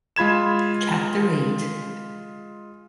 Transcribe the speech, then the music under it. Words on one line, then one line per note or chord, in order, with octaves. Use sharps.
Chapter eight.
G#3 F4 B5 G#6 E7